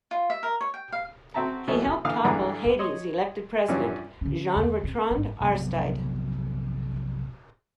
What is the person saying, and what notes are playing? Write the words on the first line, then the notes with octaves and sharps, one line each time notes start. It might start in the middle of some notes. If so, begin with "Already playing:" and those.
He helped topple Haiti's elected president, Jean-Bertrand Aristide.
F4
E5
A#4
C#5
G5
F5
C4 F#4 E5 A5 A#5
B2 E3 F#3 A3
D3 E3 F5 D#6 F6
G2 D3 E3 G#4 D5 A#5
C#5 D#5 C6 D#6
F#2 E3 F3 G3 C#4 D4
D3 C#4
E2 D3
C4
G#1 G2
F1 B1 F#2